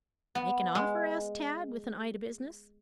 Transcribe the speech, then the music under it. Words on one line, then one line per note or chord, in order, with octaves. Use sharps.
"Make an offer?" asked Tad, with an eye to business.
B3
G#3